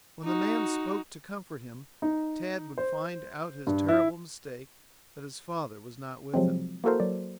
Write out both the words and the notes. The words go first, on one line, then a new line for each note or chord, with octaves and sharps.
When the man spoke to comfort him, Tad would find out his terrible mistake, that his father was not with him.
D#4 F#4
D#4
C5
G2
E4
C3 F3 F#3 G#3 C4
A#3 E4 F#4 A4 A#4 C5
F#3 D5